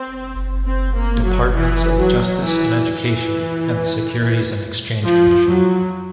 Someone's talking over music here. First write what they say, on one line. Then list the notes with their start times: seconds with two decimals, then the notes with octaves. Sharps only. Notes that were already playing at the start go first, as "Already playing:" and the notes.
Departments of Justice and Education and the Securities and Exchange Commission.
Already playing: C4
0.66 C4
0.95 A#3
1.24 F#3
1.54 E3
1.97 F#3
2.42 E3
2.86 E3
5.04 F3
5.47 F#3